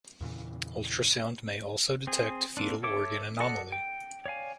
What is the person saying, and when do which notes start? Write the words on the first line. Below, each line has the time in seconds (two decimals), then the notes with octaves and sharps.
Ultrasound may also detect fetal organ anomaly.
0.21 E2 A#2 C#3 E3
2.07 C4 G#4
2.57 A#3 C4 D4
2.83 A4 C#5 E5 D6
3.40 A4 D5 D#5 F#5
3.72 G5
4.26 C#5 D5 F5 G#5